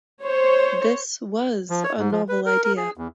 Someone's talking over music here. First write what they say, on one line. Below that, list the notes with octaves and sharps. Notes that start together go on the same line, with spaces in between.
This was a novel idea.
C5 C#5
F3
C#5
G#2
F3
B4
A#4
A#4
G#4
E2